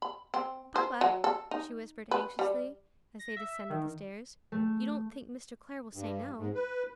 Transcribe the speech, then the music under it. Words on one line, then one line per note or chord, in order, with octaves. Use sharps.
"Papa!" she whispered anxiously, as they descended the stairs; "you don't think Mr. Clare will say No?"
B5
C4
C5
F#3
A4
D#4
B4
G3
A#6
E5
D#3
A3
G2
G#2
B4